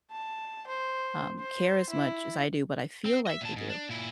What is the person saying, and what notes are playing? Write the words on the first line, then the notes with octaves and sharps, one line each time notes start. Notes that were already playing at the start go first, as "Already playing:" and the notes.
um, care as much as I do, but I feel like they do.
A5
C5
C5
E4
C4
D#5 E5
A#2 A5
G#2
D4
A#2 E4